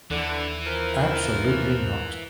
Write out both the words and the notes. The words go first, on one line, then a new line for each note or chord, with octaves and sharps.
Absolutely not.
D#2 D3 E3
F3 A#4